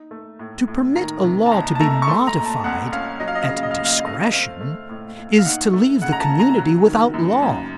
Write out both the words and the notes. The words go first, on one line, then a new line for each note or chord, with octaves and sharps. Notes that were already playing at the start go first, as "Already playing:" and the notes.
'To permit a law to be modified at discretion, is to leave the community without law.
Already playing: D#4
A3
A2
A2
D#3 A#5
C3
A5
C2 A#5
A5
A3 A#5
C#6
A3 C6
A#5
A#2
A5
C2 F#5
C#4 F5
F#3 D#5
F5
D#5
F5
C#3 D#5
F5
D#5
F5
D#2 D#5
F5
D#5
F5
A3 D#5
F5
D#5
C4 F5
A3
A2
A2
F5
D#4 F#5
A3
C#3 F#5
A#5
A5
C#3
A#5
F#3
D#3
F#2
F#2